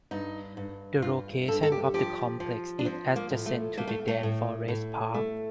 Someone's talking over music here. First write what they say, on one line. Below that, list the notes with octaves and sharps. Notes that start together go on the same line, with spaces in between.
The location of the complex is adjacent to the Daan Forest Park.
G2 D#4
G2
G2 F4
G2 A4
A4
G4
F3 G4
F3
D4
F3 C4
A#3
A2
A3
A3 A#3
A3
A3
A2
A2
A3